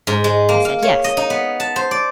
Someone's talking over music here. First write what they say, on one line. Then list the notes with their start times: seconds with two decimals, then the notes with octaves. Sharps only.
I said yes.
0.07 G#2
0.24 G#3
0.49 A#3
0.65 F5
0.82 C#5
1.04 D#5
1.17 D#4
1.30 B3
1.60 A5
1.76 C5
1.91 D5